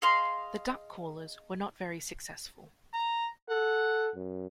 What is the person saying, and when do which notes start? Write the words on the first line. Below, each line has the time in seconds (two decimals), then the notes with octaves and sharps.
The duck callers were not very successful.
0.02 G#4 D#5 F5 C6
2.93 A#5
3.49 A4 F#5
4.15 F#2